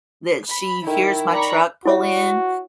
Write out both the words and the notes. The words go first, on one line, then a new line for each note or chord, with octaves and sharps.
that she hears my truck pull in,
B5
D#3 E4
D5 A#5 B5 C#6
E4 F#4 C#5 E5